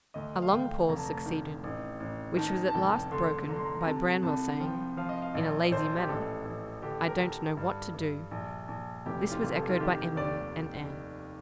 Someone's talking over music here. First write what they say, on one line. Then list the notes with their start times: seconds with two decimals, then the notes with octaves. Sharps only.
A long pause succeeded, which was at last broken by Branwell saying, in a lazy manner, 'I don't know what to do.' This was echoed by Emily and Anne.
0.14 D2 D#5
0.42 F5
0.51 D2 G5
0.89 F1 A#5
0.96 A5
1.06 A#5
1.26 D#3
1.64 A1
2.00 A1
2.37 D#3 A5
2.68 A5
2.74 F1 G5
3.11 D3 C6
3.49 D3 A#5
3.56 C6
3.65 A#5
3.81 A#5
3.86 C3 A5
4.23 C2 A5
4.60 F3 G5
4.97 F3 F5
5.09 D#5
5.22 F5
5.34 A#1 D#5
5.71 A#1 C5
5.98 G4
6.09 A1 A4
6.45 A1
6.82 D3 G4
7.08 A#4
7.20 D3 A4
7.57 G2
7.94 G2
8.31 A#1
8.68 A#1
9.06 F1 G4
9.25 G4
9.31 F4
9.43 F1
9.55 A4
9.69 F4
9.80 D#3 G4
10.16 D#2 D5